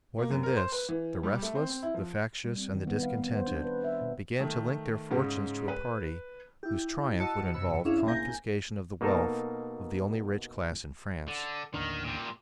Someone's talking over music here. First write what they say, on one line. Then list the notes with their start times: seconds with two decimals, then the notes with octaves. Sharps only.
More than this, the restless, the factious, and the discontented, began to link their fortunes to a party whose triumph would involve confiscation of the wealth of the only rich class in France.
0.18 A#3
0.31 F#2
0.43 A#4
0.56 C5
0.72 B4
0.89 E3
1.23 G3
1.42 A3
1.55 C4
1.69 C4
1.83 E4
1.94 F3
2.44 G3
2.58 C4
2.74 D#3
2.87 B3
3.03 F5
3.17 B3
3.36 C5
3.47 D4
3.64 B4
3.84 E5
4.01 B2
4.40 D#3 A3
5.11 G#2 C#3 G#3
5.68 B4
6.63 E4 G4
7.20 F#4 D#5 A5 E6 C#7
7.53 F#2 C3 B5 E6 C#7
7.85 C#4 D4 E4 G#4 E5 F5
8.06 A1 C3 A#3 G#5 G6 A#6
9.01 B2 A#3 D#4 A4 A#4
11.28 D3
11.74 A1 D#2 D3 D#3
12.04 A#2 G3